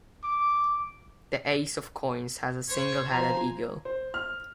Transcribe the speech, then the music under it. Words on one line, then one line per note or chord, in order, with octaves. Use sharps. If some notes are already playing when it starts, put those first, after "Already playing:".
The Ace of Coins has a single-headed eagle.
D6
C5 C#5
F3 G#5 A#5
C5
F6